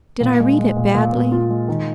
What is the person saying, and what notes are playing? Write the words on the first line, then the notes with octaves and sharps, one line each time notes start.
Did I read it badly?
A#2
G#3
G#3
A#2
A#2
A#2
F4
G#3
D#3